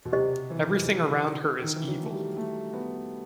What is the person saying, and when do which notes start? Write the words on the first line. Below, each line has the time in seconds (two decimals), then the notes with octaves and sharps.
Everything around her is evil.
0.05 B2
0.13 C3 G4 C5 D#5
0.50 E3
1.62 D#3
1.75 E3
1.87 F#3
2.02 A3
2.12 G3
2.37 A3
2.73 B3